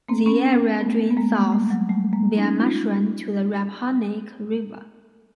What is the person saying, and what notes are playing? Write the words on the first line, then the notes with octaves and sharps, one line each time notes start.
The area drains south via Marsh Run to the Rappahannock River.
A#3 C4
B3 C#4
A3 B3
B3
G#3 A#3
G#3 A#3
A#3
G3 A3
F#3 G#3
G3 A3
G#3 A#3
C#4 D#4
D#4 F4